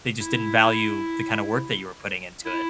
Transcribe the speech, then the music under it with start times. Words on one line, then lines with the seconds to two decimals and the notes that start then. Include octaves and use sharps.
they just didn't value the kind of work that you were putting into it.
0.20 E4
2.45 E4